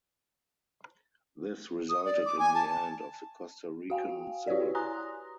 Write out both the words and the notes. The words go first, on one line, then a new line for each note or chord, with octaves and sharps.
This resulted in the end of the Costa Rican Civil War.
D#6
D5
D6
G#5
A5
A5
F#4 F5 G5 G#5
E4 F#4 G4 B4 C#5 D5
G#5 A#5 C6 D#6 F#6 A#6